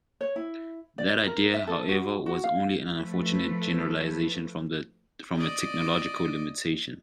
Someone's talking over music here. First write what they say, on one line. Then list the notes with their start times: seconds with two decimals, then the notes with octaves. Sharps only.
That idea, however, was only an unfortunate generalization from a technological limitation.
0.21 C#5
0.36 E4
0.98 D5
1.27 A#4
1.54 E5
1.67 A4
1.89 F#4
2.26 F#4
2.44 F5
2.96 F3 A3 A4 B4
5.35 D5 D#5